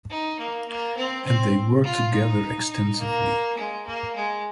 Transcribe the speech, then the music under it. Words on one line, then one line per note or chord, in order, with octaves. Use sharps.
And they worked together extensively.
D#4
A#3
A#3
C4
C4
F4
D#4
D#4
A#3
G#3
A#3
G#3